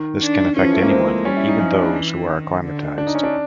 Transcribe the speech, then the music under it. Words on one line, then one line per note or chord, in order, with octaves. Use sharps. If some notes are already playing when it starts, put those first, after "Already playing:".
This can affect anyone, even those who are acclimatized.
Already playing: D#3
D4
E3 C#4
F3
A3
A#3
G#3 C4
C4
G3 C#4
E4
D#4
F3 C#4
D4
D4
E3
D#3
D3
D4
D#4
C#4
D4